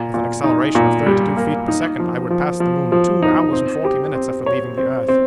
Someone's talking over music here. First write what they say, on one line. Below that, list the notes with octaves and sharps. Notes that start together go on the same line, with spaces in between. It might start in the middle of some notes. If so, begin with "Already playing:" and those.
With an acceleration of thirty-two feet per second, I would pass the moon two hours and forty minutes after leaving the earth.
Already playing: A#2
A#2
D#4
A#2
G3
A#3
D#4
F3
F3
F3
F3
D#4
C4
G4
C4
C#5
C4
C4